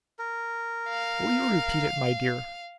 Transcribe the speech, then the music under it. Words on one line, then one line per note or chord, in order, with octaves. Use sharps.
Will you repeat it, my dear?'
A#4
F5